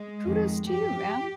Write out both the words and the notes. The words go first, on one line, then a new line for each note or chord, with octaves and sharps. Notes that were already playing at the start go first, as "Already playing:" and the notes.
Kudos to you man.
Already playing: G#3
F2 D#3
G2 F3 G4